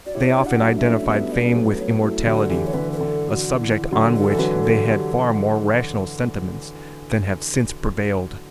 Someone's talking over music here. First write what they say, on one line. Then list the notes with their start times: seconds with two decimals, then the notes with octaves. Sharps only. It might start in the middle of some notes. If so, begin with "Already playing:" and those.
They often identified fame with immortality, a subject on which they had far more rational sentiments than have since prevailed.
0.06 F#4 D5
0.14 E4 G4 C#5
0.38 D4 F#4
0.46 F#5
0.61 F#3 A3
0.75 D4 E5
0.85 A3 C#4
1.09 G3 B3 E5
1.32 D5
1.49 B3
1.55 F#3 A3
1.79 C#5
2.02 F#3 A3 E4
2.26 D3 F#3 F#4
2.50 E3 G4
2.67 C#5
2.74 D3 B4
2.92 B4
2.97 D3 A4
3.29 F#4
3.60 E4
3.91 D3 F#3
4.16 A4
4.29 E3
4.38 D3 F#3 B4
4.62 A4
4.86 G4